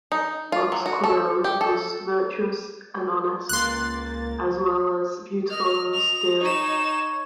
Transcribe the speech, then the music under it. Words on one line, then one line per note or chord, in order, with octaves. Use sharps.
Utz-Colel was virtuous and honest, as well as beautiful and austere.
D#4
F4
F#3
F#4
A4
G4
A4
C#2 A#3 C6 F#6 A6
D#5 F6
F7
D#4 C#5 E7